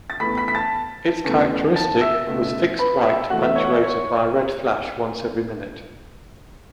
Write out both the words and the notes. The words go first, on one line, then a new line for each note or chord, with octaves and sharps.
Its characteristic was fixed white punctuated by a red flash once every minute.
A6
E2 E3 A3 B5 B6
B5 B6
B6
A5 A6
E2 C#3 E3 A3
A5 A6
E5 E6
C#2 B2 A3
B4 B5
E5
E2 E3 A3 F#4 F#5
E5
C#5
F#5
E5
C#5